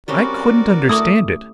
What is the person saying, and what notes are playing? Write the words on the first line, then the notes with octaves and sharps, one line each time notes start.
I couldn't understand it.
G3 C4 C#4 F#4 A#4 D5
A3 D6 D#6